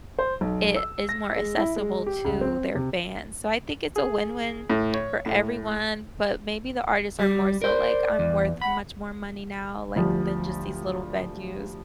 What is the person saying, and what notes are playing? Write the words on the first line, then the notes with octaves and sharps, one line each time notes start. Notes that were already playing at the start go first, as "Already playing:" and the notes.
it is more accessible to their fans. So I think it's a win-win for everyone. But maybe the artists are more so like, "I'm worth much more money now, like, than just these little venues."
C5
B1
E6
A#6
G#3
E4
G#3
G4
C#2
C4
C3
G#4
A2
C#5
A2
G3 G4
A#4 C5 D5
E2
F#5 B5
D2 F3 G3